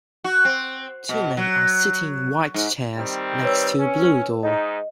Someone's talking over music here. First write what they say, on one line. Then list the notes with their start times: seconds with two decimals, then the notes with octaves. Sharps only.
Two men are sitting in white chairs next to a blue door.
0.24 F#4
0.45 C4
1.09 B2
1.37 F#3
2.54 G#2
2.97 D#3 G3 C4
3.43 B4 C#5 E6
3.79 C#4
4.43 G#2 D#4 D#5